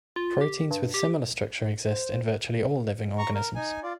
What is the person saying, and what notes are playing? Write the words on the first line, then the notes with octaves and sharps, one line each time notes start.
Proteins with similar structure exist in virtually all living organisms.
F4
G4
G2
G4
C5
A#5 C#6
A#4
D#4 G#5
F4 D5